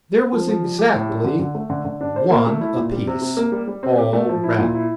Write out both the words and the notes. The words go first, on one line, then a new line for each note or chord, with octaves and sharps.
There was exactly one a-piece all round.
C4
F3
F3
G3
G4
A2
G3
D3
D3
A3
D3
D3
D4
C5
A#3
A3
E4
A#2
G3
C3
C3
A#3
G3
G3
C4
G4
A3
F3
E4
A#2
E4